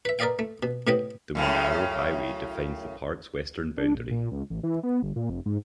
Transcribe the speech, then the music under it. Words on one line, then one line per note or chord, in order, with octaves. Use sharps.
The Monaro Highway defines the park's western boundary.
B4 E5
A#4 B4 D5 D#5 F5 G5
A3
B2
A2 C3 B3 B4 D#5 G5
F#2 A2 C#3
D4
A#1
A#2
C#2
A1
E3
B3
G1
A#2
F1
G#2